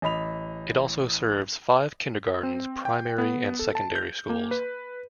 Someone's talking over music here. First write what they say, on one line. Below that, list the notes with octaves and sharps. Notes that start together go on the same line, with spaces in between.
It also serves five kindergartens, primary and secondary schools.
A1 D#5 B5 F7
C4
G5
B3
A4
A5
G6
A#3
B4